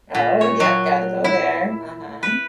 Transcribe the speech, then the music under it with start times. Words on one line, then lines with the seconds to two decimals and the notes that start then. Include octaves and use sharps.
Oh, yep, gotta go there, uh-huh.
0.15 A#2
0.41 C#5
0.60 F#3
1.24 E4
2.23 B4